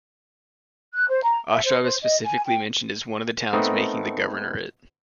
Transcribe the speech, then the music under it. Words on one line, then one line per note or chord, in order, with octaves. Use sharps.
Ostrov is specifically mentioned as one of the towns making the governorate.
F#6
C5
A#5
E5
C5
C5
D#5
G#5
G5
A3 B3 C4 D#4 A4 A#4